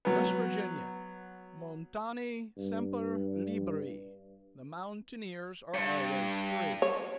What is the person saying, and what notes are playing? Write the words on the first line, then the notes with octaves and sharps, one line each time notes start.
West Virginia--Montani semper liberi: The mountaineers are always free.
F#3 B3
G2
G2
C#5